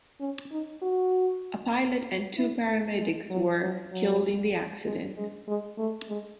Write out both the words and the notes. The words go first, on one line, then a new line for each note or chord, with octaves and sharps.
A pilot and two paramedics were killed in the accident.
C#4
D#4
F#4
E4
A3
G#3
F#3
F#3
F#3
G#3
G#3
G#3
A3
G#3